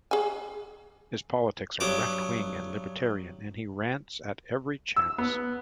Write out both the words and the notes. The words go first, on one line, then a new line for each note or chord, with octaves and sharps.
His politics are left-wing and libertarian, and he rants at every chance.
G#4 G#5
G2 F#3 B3 D6
E6
B3